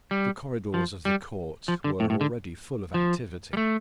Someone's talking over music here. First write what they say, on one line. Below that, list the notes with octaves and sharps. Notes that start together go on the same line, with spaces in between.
The corridors of the Court were already full of activity.
G3
F3
G3
F3
D3
A2
A2
D3
F3
G3
A3